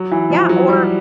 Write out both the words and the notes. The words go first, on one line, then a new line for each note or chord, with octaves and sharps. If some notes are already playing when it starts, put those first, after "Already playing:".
Yeah, or
Already playing: F#3
E3
F3
F#3
G3